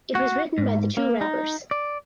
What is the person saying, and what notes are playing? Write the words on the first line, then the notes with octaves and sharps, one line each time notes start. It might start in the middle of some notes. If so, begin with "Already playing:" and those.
It was written by the two rappers.
F#4
G#2
A#3
D#4
D5